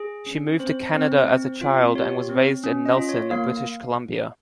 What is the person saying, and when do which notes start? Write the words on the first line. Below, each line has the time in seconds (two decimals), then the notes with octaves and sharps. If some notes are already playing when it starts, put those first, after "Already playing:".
She moved to Canada as a child, and was raised in Nelson, British Columbia.
Already playing: G#4
0.26 C#4
0.59 C4 C5
0.94 C4
1.28 C4
1.61 F4
1.95 G4 C#5
2.30 C4
2.64 C#4
2.86 D#5
2.97 F4
3.09 C#5
3.31 A#3 F5